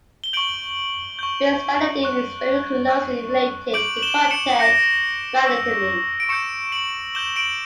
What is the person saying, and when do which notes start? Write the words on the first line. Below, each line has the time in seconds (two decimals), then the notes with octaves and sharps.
Face validity is very closely related to content validity.
0.24 G7
0.33 C#6 G6 D7 F#7
1.19 C#6 G6
2.03 C#6 F#6
2.89 C#6 F#6
3.74 D6 G6 D7 F#7
3.97 F#7
4.03 E7 G7
4.31 C#7 E7
4.59 D6 G6 A#6 C#7
5.44 C#6 E6 G6
6.20 D7
6.29 C#6 E6 G6 C#7 E7
6.72 D7 F#7
7.15 D6 G6 E7 G7
7.36 D7 F#7